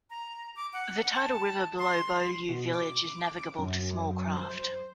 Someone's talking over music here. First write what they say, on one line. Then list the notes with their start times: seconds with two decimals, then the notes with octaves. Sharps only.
The tidal river below Beaulieu village is navigable to small craft.
0.10 A#5
0.56 D6
0.73 F#5
1.14 A5
1.79 C6
2.49 B2
2.73 D6
3.58 F#2
4.37 C5